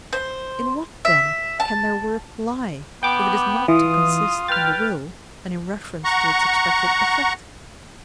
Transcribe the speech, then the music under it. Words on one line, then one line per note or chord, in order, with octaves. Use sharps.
In what, then, can their worth lie, if it is not to consist in the will and in reference to its expected effect?
C5
E5
A5
B3 G5 D6
E3 F4 D#6
B4 G5 F6 A6
F#5 A#5 C#6